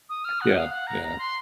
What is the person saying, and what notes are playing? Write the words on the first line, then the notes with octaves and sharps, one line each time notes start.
Yeah, yeah.
D#6
F6
F#5
F5
F#5
A#5
A#5
C6